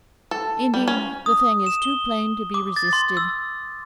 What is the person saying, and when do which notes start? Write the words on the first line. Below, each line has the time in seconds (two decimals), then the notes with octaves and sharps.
Indeed the thing is too plain to be resisted.
0.31 A4
0.74 G3
0.88 C#4
1.26 D#6
1.66 E7
1.82 G7
2.54 D6
2.76 A6
2.93 C6
3.17 E6